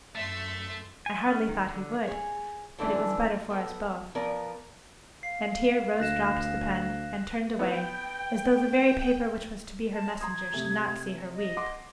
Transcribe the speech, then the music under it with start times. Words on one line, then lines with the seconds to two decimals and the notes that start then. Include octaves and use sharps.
I hardly thought he would; but it was better for us both.' And here Rose dropped the pen, and turned away, as though the very paper which was to be her messenger should not see her weep.
0.15 F#2 A3 E5 C6
1.06 G#5
1.26 C#4
1.49 D#3
1.64 D3
2.07 G#4 C#5
2.78 D3 E3 A3 B3 C#4 D4
3.50 B3 A4
4.15 F3 B3 A#4 D5
5.23 F5 C7
6.00 D2 F#6 A#6 E7
7.59 B3 E4 B4 G5
9.94 A5
10.21 A#5 C6 D#6 G#6
10.53 C3 A3
11.34 D#5
11.57 F#5 C6 D6